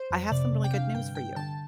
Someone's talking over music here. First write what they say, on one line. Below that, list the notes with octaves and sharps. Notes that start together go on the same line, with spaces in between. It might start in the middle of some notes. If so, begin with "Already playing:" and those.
I have some really good news for you."
Already playing: C5
F2
C3 D5
C3
G5
D3 F5
G2 G5
G2 G5
D3 A5